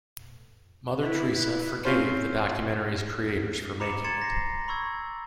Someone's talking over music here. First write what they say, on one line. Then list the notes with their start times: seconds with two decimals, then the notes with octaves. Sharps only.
Mother Teresa "forgave" the documentary's creators for making it.
1.01 E4 B4
1.85 C4 C#4 F4 C5
3.80 A#5 B5 D6 C#7 E7
4.04 A#5 C6 G#6 A6 C#7 E7
4.22 A#6 C7
4.68 B5 C#6 E6 G#6